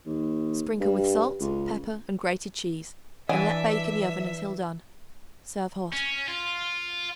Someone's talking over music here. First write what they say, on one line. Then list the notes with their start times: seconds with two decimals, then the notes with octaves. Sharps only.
Sprinkle with salt, pepper and grated cheese and let bake in the oven until done. Serve hot.
0.06 D#2
0.80 G2
1.40 C#2
3.29 E3 D4 E5 G#5
5.92 C#4
6.28 F4